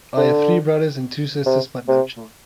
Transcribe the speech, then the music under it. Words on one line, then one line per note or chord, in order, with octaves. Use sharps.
I have three brothers and two sisters, but no children.
D3
C3
C3